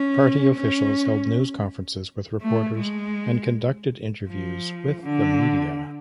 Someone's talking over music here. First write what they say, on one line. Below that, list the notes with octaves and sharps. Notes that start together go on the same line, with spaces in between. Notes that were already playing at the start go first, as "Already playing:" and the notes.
Party officials held news conferences with reporters and conducted interviews with the media.
Already playing: C#4
C#4
A3
G#3
F3
D3